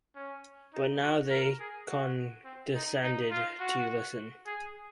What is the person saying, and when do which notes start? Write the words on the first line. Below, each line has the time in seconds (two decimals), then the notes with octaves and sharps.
But now they condescended to listen.
0.15 C#4
0.73 D#4
1.01 F#4
1.30 A#4
1.60 G#4
1.88 F#4
2.45 C4
2.74 D#4
3.03 D#4
3.31 F4
3.59 F#4
4.46 G#4